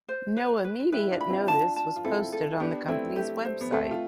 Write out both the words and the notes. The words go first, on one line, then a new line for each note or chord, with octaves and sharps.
No immediate notice was posted on the company's website.
C5
B4
B4
E4 G4 B4
D4 F4
B5
C4 E4
D4 F4 A5
A5
F4
C4 E4 A4
A4
B3 D4 G4
A3 C4 E4
A3 G4
C5
B3
A3 C4 A4
F4